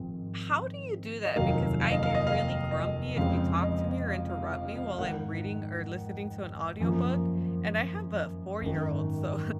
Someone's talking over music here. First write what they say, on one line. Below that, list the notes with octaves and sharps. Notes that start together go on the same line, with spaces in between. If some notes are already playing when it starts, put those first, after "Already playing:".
How do you do that? Because I get really grumpy if you talk to me or interrupt me while I'm reading or listening to an audiobook. And I have a four-year-old, so
Already playing: G#1 G#2 F3 G#3 C4
D#5
F1 D#2 D#3 F#3 A#3 F5
F5
D#5
F5
D#5
F5
D#5
F2 C#3 G#3 C4 F5
D#5
F5
F5
F5
F5
F5
G#1 G#2 D#3 F#5
F#2 F3 A#3
G#1 F#2 D#3